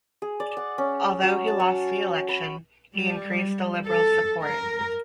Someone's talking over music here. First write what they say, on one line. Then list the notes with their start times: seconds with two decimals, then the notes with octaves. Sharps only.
Although he lost the election, he increased the Liberals' support.
0.22 G#4
0.40 D5
0.57 F#5
0.78 C#4
1.23 F#3
1.47 A5
1.60 C#6
2.28 B5
2.95 G3
3.86 A4
4.43 A#4